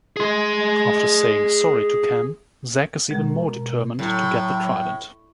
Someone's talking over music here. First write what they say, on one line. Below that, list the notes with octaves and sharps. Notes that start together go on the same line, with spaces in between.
After saying sorry to Cam, Zac is even more determined to get the trident.
G#4 C6
B2 G#3 A#4
A2 F#3